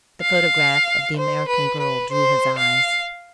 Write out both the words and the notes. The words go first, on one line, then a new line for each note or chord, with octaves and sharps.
The photograph of the American girl drew his eyes.
F5
C5
B4
B4
C5
F5